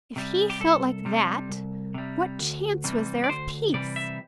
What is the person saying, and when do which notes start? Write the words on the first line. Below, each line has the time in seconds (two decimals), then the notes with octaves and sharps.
If he felt like that, what chance was there of peace?
0.16 C3 G3
0.50 G4
0.60 C2 A4
1.05 C3 G3
1.49 C2
1.94 C3 G3
2.39 D2
2.84 C3 E3 G3
3.24 D5
3.29 D2 C5
3.74 C3 E3 G3 D5
3.96 E5